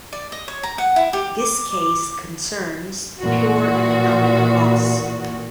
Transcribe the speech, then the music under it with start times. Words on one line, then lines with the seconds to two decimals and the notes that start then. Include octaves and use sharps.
This case concerns pure economic loss.
0.13 D5
0.32 D#5
0.48 C#5
0.63 A#5
0.78 F#5
0.96 E4
1.13 G4
1.38 D6
3.20 A#2 E3 F#4